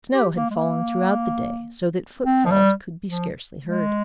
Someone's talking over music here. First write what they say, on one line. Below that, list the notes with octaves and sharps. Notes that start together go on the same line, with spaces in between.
Snow had fallen throughout the day, so that footfalls could be scarcely heard.
G4
A#3
G#3
A#3
C4
F3
G3
F3
G#3